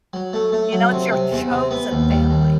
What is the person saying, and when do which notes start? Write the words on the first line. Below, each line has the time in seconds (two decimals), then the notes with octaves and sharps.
you know, it's your chosen family
0.13 F#3
0.33 A3
0.52 A3
0.73 F#3
0.92 C3
1.11 C3
1.32 E2
1.51 C3
1.71 B3
1.91 D#2
2.11 G3
2.31 D#2